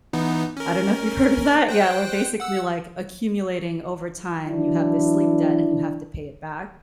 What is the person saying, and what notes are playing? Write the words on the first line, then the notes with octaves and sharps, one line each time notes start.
I don't know if you've heard of that? Yeah, where basically, like, accumulating over time, you have this sleep debt and you have to pay it back.
E3 B3 D#4
C#4 A#4
C5 G5 F#6
F#5 E6
E3 F#3 D4 E4